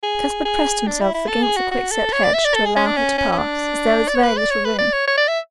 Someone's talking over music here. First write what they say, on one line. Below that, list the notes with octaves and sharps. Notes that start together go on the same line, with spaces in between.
Cuthbert pressed himself against the quickset hedge to allow her to pass, as there was very little room.
G#4
G#4
D4
E4
E4
A4
G#4
F#4
F#4
A4
C#5
D5
E5
D5
A4
G#4
C#4
D4
C#4
C#4
C#4
D4
D5
C#5
B4
D5
C#5
B4
D5
C#5
C#5
D5
E5